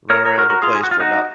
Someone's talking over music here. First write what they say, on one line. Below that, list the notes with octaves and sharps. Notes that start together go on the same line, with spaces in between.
run around the place for about
A#4 C#5
A#4 C#5
F#4 A#4
F#4 A#4
F4 G#4
G#4
F#4
F4
D#4 F#4